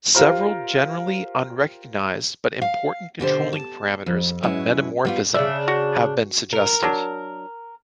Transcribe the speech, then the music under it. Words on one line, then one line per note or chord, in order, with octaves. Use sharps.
Several generally unrecognized but important controlling parameters of metamorphism have been suggested.
F4 G4 A#4 C5
F5
B2 D3 G4 C5
A5
F2
F#2 G#3 E4 B4 C#5
G3 B3 F4
C#3 D4 E5
F#4
A#4
F#3 D4